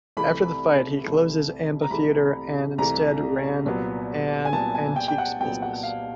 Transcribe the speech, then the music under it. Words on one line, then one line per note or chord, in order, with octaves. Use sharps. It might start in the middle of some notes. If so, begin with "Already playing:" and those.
After the fight he closed his amphitheatre, and instead ran an antiques business.
C2 C3 E3 A3 B5
C2 C3 E3 A3
A#5
C2 C3 E3 A3 B5
C2 C3 E3 A3 A#5
C2 A#2 F#3 B3
G#5
C2 A#2 F#3 B3 A5
G#5
G5
G5
F#5
C2 A#2 F#3 B3 G5
F#5
F5